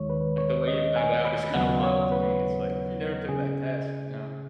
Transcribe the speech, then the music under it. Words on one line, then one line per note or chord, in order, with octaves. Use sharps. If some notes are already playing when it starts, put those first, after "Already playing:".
like, the way you found out is kinda wild to me. It's like, if you never took that test, you know,
Already playing: D#2 D#3 G#3 C#5
B4
C#5
D#5
G#5
B5
D#2 C#3 F#3 B3 F#5
C#5
B4
C#3 G#4